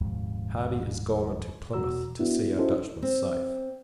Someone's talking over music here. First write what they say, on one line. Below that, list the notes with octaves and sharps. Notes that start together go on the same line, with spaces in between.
Hardy is gone into Plymouth, to see our Dutchman safe.
D#1 F2 G#2 C3
E2 B2 F#4 A#5 E6
B3 D4 E4 F#4
C#4 D#4 E4 F#4 A4 C5
C4